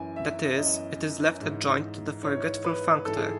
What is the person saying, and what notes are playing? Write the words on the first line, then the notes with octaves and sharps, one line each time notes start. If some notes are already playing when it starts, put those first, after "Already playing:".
That is, it is left adjoint to the forgetful functor.
Already playing: F#2 E3 G#5
E5
F#2 E3 D#5
G#2 E3
G#2 E3 C#5
B4
G#2 E3 A4
G#4